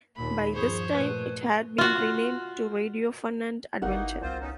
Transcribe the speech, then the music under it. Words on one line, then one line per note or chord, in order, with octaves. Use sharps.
By this time it had been renamed to Radio Fun and Adventure.
D#2 A#2 B5
G2 F3 G#4 C5 C#5
A#2 A3 B4
F4 F#4
G1 E3 A#3 D#4 F#4 A#4 F#5
C2 C4 F4 C5
B3 C#4 D#4